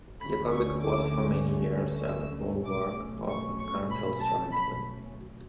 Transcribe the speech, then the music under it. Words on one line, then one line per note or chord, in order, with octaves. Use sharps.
Jakobek was for many years a bulwark of the council's right-wing.
D2 D3 A3 C#4 B5
C#6
D6
E6
B1 B2 A3 C#4 D6
C#6
C#6
B5
A5
B5